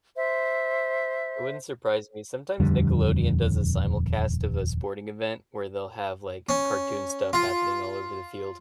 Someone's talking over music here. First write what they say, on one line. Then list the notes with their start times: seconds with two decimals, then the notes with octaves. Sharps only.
It wouldn't surprise me; sometimes Nickelodeon does a simulcast of a sporting event where they'll have, like, cartoon stuff happening all over the field.
0.16 C5 E5
2.59 D#1 F2 D3 G3
6.49 C#4
7.33 F4